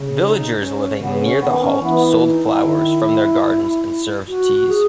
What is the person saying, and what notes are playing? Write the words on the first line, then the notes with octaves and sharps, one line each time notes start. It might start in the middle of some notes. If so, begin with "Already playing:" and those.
Villagers living near the halt sold flowers from their gardens and served teas.
Already playing: C#3
D#4
C#4
C#3 B3
C#4
D#3 B3
C#4
E3 B3
D#4
E4
D#3
F#4
G#4